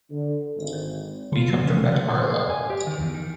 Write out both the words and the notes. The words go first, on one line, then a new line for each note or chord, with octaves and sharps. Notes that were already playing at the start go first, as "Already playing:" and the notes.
We come from Benicarló.
D3
G#1
F4
F#3
C#4
F#3
A#2
G#4
G#5
G4
D#3
E2
D#3